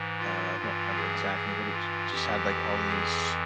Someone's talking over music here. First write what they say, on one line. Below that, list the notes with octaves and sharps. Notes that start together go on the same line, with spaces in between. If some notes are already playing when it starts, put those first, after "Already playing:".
uh, I don't remember exactly, but it j just had, like, all these
Already playing: G#2 E3
F4
G2 E3
G#4
G#4
F4
F2 E3 G4
G#4